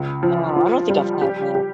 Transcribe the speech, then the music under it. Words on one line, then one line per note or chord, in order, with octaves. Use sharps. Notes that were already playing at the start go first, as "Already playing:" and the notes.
Oh, I don't think I've had that.
Already playing: C#2
F3
F4
G3
G4
G4